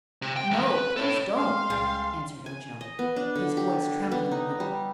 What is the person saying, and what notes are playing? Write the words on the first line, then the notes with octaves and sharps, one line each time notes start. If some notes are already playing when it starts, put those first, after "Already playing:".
"No; please don't," answered Ojo, his voice trembling a little.
C3
G5
E2 G#2
B4
A4 C#5
G#3 G4 A4 F5 C6
C#2 G3 G#4 A6
G#5
D#5
B3
D4
D3
G4
B3
D#4
G3